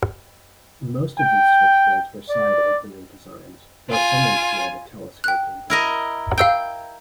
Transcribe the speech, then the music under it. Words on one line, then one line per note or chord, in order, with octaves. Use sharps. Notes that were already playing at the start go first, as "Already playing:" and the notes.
Most of these switchblades were side-opening designs, though some employed a telescoping blade.
G5
D5
F4 G#5
G5 F#6
E4 A#4 D#5
F5 G5 E6 G6